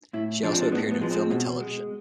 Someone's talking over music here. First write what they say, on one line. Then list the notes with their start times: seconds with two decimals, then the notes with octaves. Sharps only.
She also appeared in film and television.
0.13 A2 E4
0.43 F3 G#3 D4
0.53 C4
0.62 D4
0.72 A2 B3
0.91 B3
1.01 F3 G#3
1.11 C4
1.31 B2
1.60 G#3